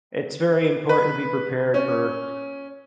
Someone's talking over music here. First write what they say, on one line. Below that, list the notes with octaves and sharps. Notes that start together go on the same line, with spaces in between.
it's very important to be prepared for,
B4
C#4